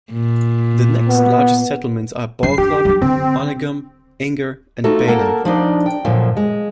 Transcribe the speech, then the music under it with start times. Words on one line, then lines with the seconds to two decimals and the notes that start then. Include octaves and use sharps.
The next largest settlements are Ball Club, Onigum, Inger, and Bena.
0.13 A#2
1.08 B3
2.43 F#2 C7
2.58 D4 G4
2.85 F#3 D4
3.02 D3 C4
4.84 A3 D#4 F4 F#4 A4
5.07 A#3 A4 A#4 F#5 A5
5.45 F3 D4 D#4 D5
5.86 G5
6.05 F#2 A#2 D3 F3
6.37 G#3